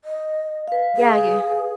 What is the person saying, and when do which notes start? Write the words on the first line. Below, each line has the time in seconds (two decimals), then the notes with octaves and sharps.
Yeah, you
0.04 D#5
0.68 B4 F5
0.97 G#4